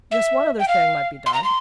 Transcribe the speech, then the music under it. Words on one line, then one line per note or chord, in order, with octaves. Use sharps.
Yes, one other thing might be done.
E5
G5
F5
C6
A#5
C6